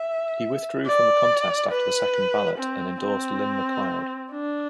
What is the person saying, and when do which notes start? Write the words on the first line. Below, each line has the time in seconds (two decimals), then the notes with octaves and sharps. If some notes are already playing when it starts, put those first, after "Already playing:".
He withdrew from the contest after the second ballot, and endorsed Lyn McLeod.
Already playing: E5
0.87 D5
1.72 B4
2.58 C4
3.01 C4
4.31 D4